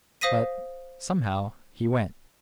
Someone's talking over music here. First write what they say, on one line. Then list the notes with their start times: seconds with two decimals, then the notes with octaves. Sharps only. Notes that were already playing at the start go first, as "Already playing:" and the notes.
But, somehow, he went.
0.21 C5 F5 D#6 A#6 B6 D#7